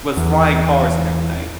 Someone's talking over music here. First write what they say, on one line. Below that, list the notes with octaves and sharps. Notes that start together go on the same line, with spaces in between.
with flying cars and everything.
E2